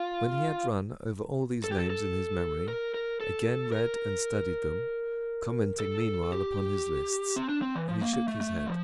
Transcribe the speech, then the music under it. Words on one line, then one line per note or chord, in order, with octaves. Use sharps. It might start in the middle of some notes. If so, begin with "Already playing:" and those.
When he had run over all these names in his memory, again read and studied them, commenting meanwhile upon his lists, he shook his head.
Already playing: F4
A4
G4
A4
A4
A#4
A#4
A4
A#4
A4
G4
C4
D4
C4
E3
F3
A#3
A#3
A3
A3
F3